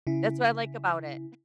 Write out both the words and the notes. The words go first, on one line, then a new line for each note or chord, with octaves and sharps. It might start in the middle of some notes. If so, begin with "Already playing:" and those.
That's what I like about it.
C#3 E4